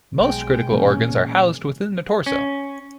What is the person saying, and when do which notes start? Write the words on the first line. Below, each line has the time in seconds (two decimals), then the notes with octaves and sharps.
Most critical organs are housed within the torso.
0.20 B1 B2 G#3 G5
0.72 A#2 E3 G#3 A#3 C#4
2.26 C#4